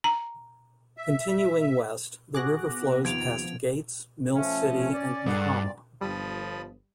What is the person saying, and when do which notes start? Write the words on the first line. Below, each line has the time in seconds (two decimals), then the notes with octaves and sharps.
Continuing west, the river flows past Gates, Mill City and Mehama.
0.04 A#5
0.97 E5
2.35 F#4 G#4 D6 F#6 A#6
2.66 B3
3.05 D#2 C3 F3 G#6 D7 F7
4.34 F3 A3 C#4
4.93 D5
5.26 G2 G#4 A4 F#5
6.01 G1 F3 G3 A5 B5 D#6